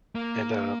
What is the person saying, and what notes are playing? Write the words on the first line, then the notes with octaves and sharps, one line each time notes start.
and, uh,
A#3